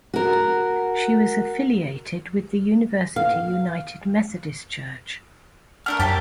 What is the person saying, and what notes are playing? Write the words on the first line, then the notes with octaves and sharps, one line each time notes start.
She was affiliated with the University United Methodist Church.
F#4 A#4
F5
A3 D4 A#4 F6
F#2 A#3 G4 A5